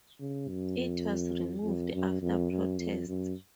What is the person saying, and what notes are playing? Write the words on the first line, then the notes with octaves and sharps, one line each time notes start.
It was removed after protests.
C#3
F#2
F2
F2
F#2
F2
F#2
F2
F#2